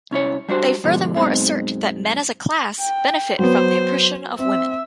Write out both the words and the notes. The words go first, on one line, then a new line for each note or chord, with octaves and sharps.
They furthermore assert that men as a class, benefit from the oppression of women.
C2 C#4 E4 C#5
G3 D4 F#4 C5
G#2 B2 D3 F3 G3
F#2 B2 G#3 C4 D#4
G5
F#3 B3 C5
C4 E5